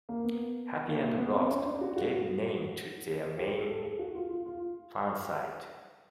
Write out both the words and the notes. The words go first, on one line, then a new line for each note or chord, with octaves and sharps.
"Happy and Lost" gave name to their main fansite.
A#3
B3
A#3
A#3
B3
C4
C#4
D4
F#4
F#4
G4
G#4
A4
G#4
F#4
F4
F4
F4